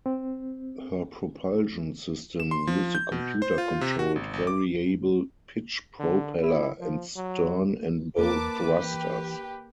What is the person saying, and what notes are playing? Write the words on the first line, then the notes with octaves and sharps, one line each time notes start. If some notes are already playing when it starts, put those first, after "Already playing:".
Her propulsion system used a computer-controlled variable-pitch propeller and stern and bow thrusters.
C4
E7
C6
F3
G6
B2
C5
F4
C3
F#4
G#1
G#1
D6
D3
E4
F3
F#3
E2 A#3 A#4 B4 A5 D6
E3 G4